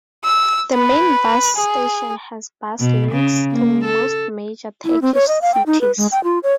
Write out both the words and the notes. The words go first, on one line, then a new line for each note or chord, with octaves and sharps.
The main bus station has bus links to most major Turkish cities.
E6
B4
G#4
B2
C#3
A#3
A4
E4
C4
C#5
D#5
F5
G5
D#4
B4
G#3
G5
F4
C#5